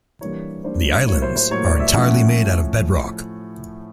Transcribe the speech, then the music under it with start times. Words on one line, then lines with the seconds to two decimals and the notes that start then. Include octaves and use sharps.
The islands are entirely made out of bedrock.
0.21 E3 G3 A#3 D4 C#5
0.64 E3 G3 A#3 D4 C5
1.07 A2 F#3 A#3 C#5
1.22 C5
1.36 C5
1.50 A2 F#3 A#3 C#5
1.65 D5
1.80 E5
1.94 A2 F3 A3 C#4 F#5